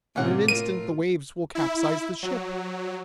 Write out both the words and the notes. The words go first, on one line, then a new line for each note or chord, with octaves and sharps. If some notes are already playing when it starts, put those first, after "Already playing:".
In an instant the waves will capsize the ship!
A2 C3 E3 A#3 C#4 F#5
A2 F4 A#4 C#5 D#7
E4
F#3